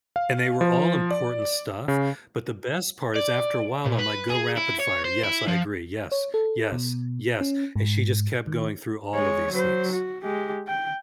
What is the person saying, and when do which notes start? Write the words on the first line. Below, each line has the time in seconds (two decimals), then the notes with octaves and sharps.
And they were all important stuff, but the best part is after a while, I'm like, "Go rapid fire. Yes, I agree. Yes, yes, yes." And she just kept going through all of these things.
0.16 F5
0.61 F3
1.11 D5
1.88 C#3
3.16 D5
3.86 A#2
3.99 B4
4.29 G#4
4.57 E4
4.80 C#5
5.05 C5
5.24 E4
5.48 F3
6.12 C#5
6.34 A4
6.72 B2
7.41 C#4
7.76 G#2
8.47 D#3
9.15 G#3 C#5
9.52 F#3 C5
9.93 F#4
10.24 G#3 G4
10.68 G5